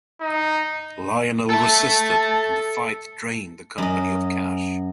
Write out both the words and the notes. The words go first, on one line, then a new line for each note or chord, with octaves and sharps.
Lionel resisted and the fight drained the company of cash.
D#4
A4 E5 A5
F#2 D#5